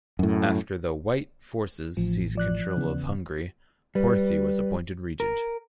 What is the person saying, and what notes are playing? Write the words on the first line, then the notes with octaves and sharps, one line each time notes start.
After the "white" forces seized control of Hungary, Horthy was appointed Regent.
F#2 A2
A1 F3
F3 D5 F#6
E2 C#3 B3
G3 B4
A#4